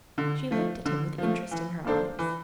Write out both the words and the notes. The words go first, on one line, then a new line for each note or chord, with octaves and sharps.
She looked at him with interest in her eyes.
D3
F3 A3
D3
F3 A3
E3
A#3 D4 A4 C5
E3